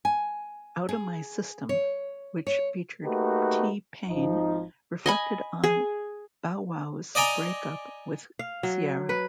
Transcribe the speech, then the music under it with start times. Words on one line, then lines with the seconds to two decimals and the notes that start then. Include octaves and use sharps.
"Outta My System", which featured T-Pain, reflected on Bow Wow's break-up with Ciara.
0.05 G#5
0.89 G#4
1.69 C#5
2.47 C#5
3.04 A3 A#3 D#4 F#4 G4 B4
4.08 G#1 F3 D#4
5.06 D#5 G#5 B5
5.64 G#4
7.15 D5 D#5 G5 G#5 A#5
8.39 F5
8.63 F#3
9.09 B4